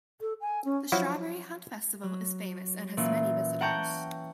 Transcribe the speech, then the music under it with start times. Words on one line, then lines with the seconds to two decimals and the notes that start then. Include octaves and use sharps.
The Strawberry Hunt Festival is famous and has many visitors.
0.21 A4
0.41 G#5
0.65 C#4
0.92 F3 F#3 E4 F#4
2.03 F#3
2.97 A#2 E3 C#4
3.61 F#5 G5 A5 A#5 C#6 G6